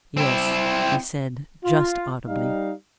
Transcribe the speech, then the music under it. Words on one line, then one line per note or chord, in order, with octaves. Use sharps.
"Yes," he said, just audibly.
C4 E4
F4
G3 D#4 F5